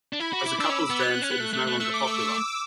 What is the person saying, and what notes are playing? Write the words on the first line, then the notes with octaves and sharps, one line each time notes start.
As a couple's dance, it is no longer popular.
D4
E4 B5
F#4
D6
E4
D4 E6
C#4
B3 E6
F#6
C#4
B3
A3
A3
A3
A3 E6
D6
E6
E6
D6
D6